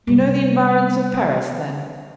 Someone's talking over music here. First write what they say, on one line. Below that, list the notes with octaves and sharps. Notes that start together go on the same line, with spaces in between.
"You know the environs of Paris, then?"
C3 G3